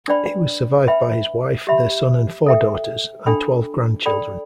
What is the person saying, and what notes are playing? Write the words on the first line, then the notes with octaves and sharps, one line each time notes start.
He was survived by his wife, their son and four daughters, and twelve grandchildren.
D4 B4 D5 G5 B5
B4 E5 G5 B5
G4 E5 B5
A4 E5 G5
D4 A4 G5 B5
A4 D5 G5 B5